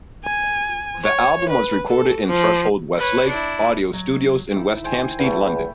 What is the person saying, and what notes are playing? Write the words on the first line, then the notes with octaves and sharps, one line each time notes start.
The album was recorded in Threshold Westlake Audio Studios in West Hampstead, London.
G#5
C#5
B4
A4
F3
B4 C#5
D4 E4
F#3
D#3 E4
C5 G5 G#5
E2 A3 B5